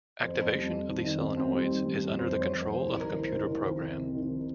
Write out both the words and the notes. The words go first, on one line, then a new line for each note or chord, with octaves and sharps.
Activation of these solenoids is under the control of a computer program.
F2 C5
F2
G3
F2
D#3
D#3
C4
C4
G3
D#3
G3
F2
F2 C5
F2
C#5
F2
C5
F2
C2
D#3 A#4
C2 C5
C2 A#4
C2 C5
D#3
C3
C3
D#3